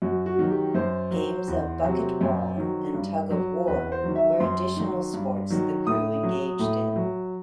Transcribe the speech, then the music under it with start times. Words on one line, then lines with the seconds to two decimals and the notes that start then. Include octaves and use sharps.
Games of 'Bucket ball' and tug-of-war were additional sports the crew engaged in.
0.02 F#2 F#4
0.26 F#4
0.39 D#3 F#3
0.50 G4
0.74 F#2 C5
1.11 F#3
1.48 E2
1.84 C3 F#3
2.21 F#2
2.57 D#3 F#3
2.94 G2
3.30 F#3
3.67 E2 B4
3.92 C5
4.04 D#3 F#3
4.15 E5
4.40 F#2 C6
4.77 D#3 F#3
5.13 G2
5.50 D#3 F#3
5.86 A2 D#6
6.23 F#3
6.59 A2
6.96 F#3